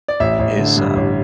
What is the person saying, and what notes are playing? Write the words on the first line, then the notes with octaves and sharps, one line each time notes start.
is, um,
D5
A1 E5
A1
D3
G2
A1